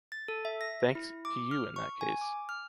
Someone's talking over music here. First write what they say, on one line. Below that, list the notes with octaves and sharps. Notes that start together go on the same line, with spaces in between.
Thanks to you in that case.
A6
A4
E5
A#6
E4
D6
F6
C#6
G#5
D6
F6